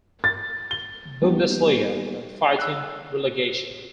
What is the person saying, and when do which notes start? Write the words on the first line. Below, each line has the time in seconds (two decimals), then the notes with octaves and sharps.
Bundesliga and fighting relegation.
0.24 A6
0.71 G7
1.22 G3 A#3 B3 D#4 F#4 G4
2.59 E6 F#6